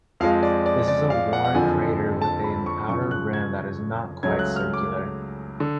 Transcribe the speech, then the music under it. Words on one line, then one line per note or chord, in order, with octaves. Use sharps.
This is a worn crater with an outer rim that is not quite circular.
F2 F3 G#3 F5
D5
D5
D5
F5
F#5
F#5
F#1 F2 D3 F3 G#5
A5
B5
C#6
F#2 C#3 F3 C#6
F#6
G#6
C#2 C#3 F#3 A3 G#6
F#6
F6
D6
D3